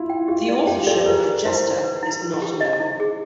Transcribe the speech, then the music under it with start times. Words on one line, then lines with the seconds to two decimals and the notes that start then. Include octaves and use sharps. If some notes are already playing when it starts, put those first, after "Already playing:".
The authorship of the "Gesta "is not known.
Already playing: E4 F4
0.10 G5
0.28 F4 G4
0.49 D5
0.67 F4 G4 G5
0.87 G4 A4 D5
1.06 G#4 A#4 B4
1.25 B4
1.44 E4 A#4 C5
1.64 E4
1.84 B4
2.03 E4
2.22 B4
2.42 G4
2.61 D#5
2.80 E4
3.00 G#4